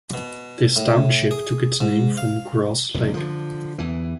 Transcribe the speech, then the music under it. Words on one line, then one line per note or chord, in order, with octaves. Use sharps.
This township took its name from Grass Lake.
B2
A2
G#4
G#2
F5
F#1 E2 A2
D3 F3
E2 E3